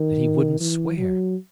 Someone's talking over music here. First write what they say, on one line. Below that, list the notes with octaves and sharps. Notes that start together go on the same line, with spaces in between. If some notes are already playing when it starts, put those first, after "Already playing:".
"That he wouldn't swear."
Already playing: D#3
E3
F#3